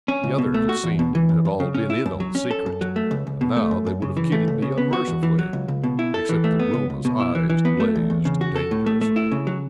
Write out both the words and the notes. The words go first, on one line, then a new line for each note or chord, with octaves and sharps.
The others, it seemed, had all been in on the secret, and now they would have kidded me unmercifully, except that Wilma's eyes blazed dangerously.
C#4
C#2
B2
A3
F#4
E2
B2
E3
F#2
F#2
C#3
C#4
E4
F#2
F#3
C#4
A4
F#2
F#3
A3
C#2
C#2
B2
A3
F#2
F#2
C#3
E3
A3
C#2
C#3
B3
F#4
E2
E3
F#3
C#2
C#2
B2
E4
A4
E3
A3
B3
C#2
C#2
B2
E4
E3
E3
B3
A3
E2
E2
C#3
F#4
A4
A2
A3
A3
E4
C#3
F#3